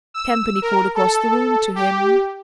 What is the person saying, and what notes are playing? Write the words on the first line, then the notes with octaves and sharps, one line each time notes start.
Campany called across the room to him.
E6
A#4
A4
G4